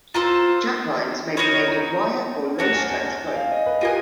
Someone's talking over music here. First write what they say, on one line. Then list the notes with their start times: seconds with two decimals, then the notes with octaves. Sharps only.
Jacklines may be made of wire or low-stretch rope.
0.14 F4 A4 C5 A#5
1.37 D#4 F#4 A#4 C#5 B5
1.68 A#5
2.59 D4 F#4 A#4 A5
2.74 G#5
2.90 G#5
3.05 G#5
3.35 F5
3.51 D#5
3.66 B4
3.81 F4 G4 A#4 D#5 G#5